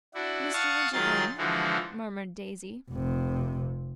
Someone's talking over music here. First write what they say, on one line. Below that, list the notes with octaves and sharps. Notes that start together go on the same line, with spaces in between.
"Mr. Winterbourne!" murmured Daisy.
D4 E4 F#4
F5 F#5 A5 C#6 D#6
D#3 F#3 F4 G#4 C6 A6
D3 E3 F3 G#3 F#4
F1 C3